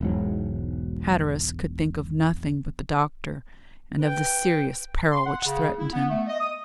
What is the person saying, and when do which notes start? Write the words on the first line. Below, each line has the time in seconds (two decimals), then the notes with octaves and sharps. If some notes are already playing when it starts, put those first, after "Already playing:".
Hatteras could think of nothing but the Doctor, and of the serious peril which threatened him.
0.01 E1 B1 G#2 F#3
3.98 B4 G5
5.12 C6
5.26 F#5
5.45 C#3
5.78 E4
5.93 B3
6.09 A3
6.28 D#5
6.40 D#6